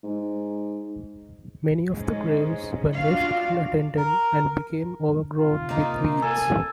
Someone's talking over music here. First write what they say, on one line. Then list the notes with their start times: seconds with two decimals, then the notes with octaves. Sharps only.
Many of the graves were left unattended and became overgrown with weeds.
0.04 G#2
1.89 G#2 G#3 C#4
2.96 D4 F4 F#4 F5
3.97 A#4
5.37 C3 F4
5.69 A#3 D#4
6.22 A4 G#5